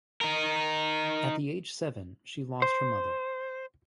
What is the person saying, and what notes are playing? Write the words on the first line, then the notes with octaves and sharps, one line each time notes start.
At the age seven she lost her mother.
D#4 A#4
C5